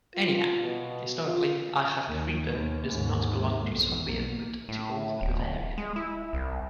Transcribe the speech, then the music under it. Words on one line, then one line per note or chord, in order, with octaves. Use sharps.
Anyhow, historically Aichach-Friedberg does not belong to Swabia, but to Old Bavaria.
F4
B2
F4
D#2 D#3
D#2
D#2 G#2
B1 F2
B1 A#3
A2
D1
G#3
E4
C2